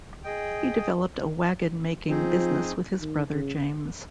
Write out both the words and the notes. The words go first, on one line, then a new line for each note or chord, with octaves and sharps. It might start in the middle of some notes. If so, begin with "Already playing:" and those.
He developed a wagon-making business with his brother James.
G#4 D#5 G5
F3 C4 D#4 G#4
D#3
C#3